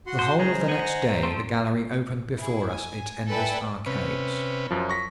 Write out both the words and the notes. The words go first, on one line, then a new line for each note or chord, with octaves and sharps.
The whole of the next day the gallery opened before us its endless arcades.
F#4 F#5 C6
C5
C#3 G#3 G#4 C5 A#5
D#5 F#5 G#5
F3 A3 C4
E4 G#4
G#5
A4 B4 D5 E5 G5 G#5
C3 C#4 B4
F#2 F3
C#6 A#6 B6